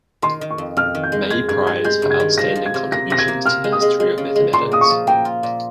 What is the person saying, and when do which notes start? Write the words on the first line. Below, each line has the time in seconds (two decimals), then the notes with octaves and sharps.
May Prize for outstanding contributions to the history of mathematics.
0.22 D#3 C6
0.41 D#3
0.50 C#6
0.58 F2
0.77 F2 F6
0.95 D#3
1.03 G6
1.12 G#3
1.30 G#3 G#6
1.49 G2 G#6
1.67 G#3 G#6
1.84 G#3 G6
2.02 G2
2.11 G#6
2.20 D#3
2.38 F3 A#6
2.56 F3
2.66 G#6
2.74 C3
2.92 A#3 A#6
3.10 C3 A#6
3.18 G#6
3.28 A#3
3.46 C4 F6
3.64 G#3
3.72 D#6
3.82 G#3
4.00 G#3
4.18 C#3
4.36 G#3
4.53 A#2 C6
4.72 A#3 D#6
4.81 C#6
4.90 F3
5.07 A#3 G5
5.25 F4
5.43 A#2